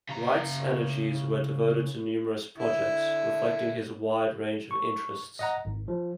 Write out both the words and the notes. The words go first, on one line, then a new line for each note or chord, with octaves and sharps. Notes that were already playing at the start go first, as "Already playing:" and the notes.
Wright's energies were devoted to numerous projects, reflecting his wide range of interests.
C#3 A#5
D3 E4
C#6
D#5 F#5 A#5
G#1
F3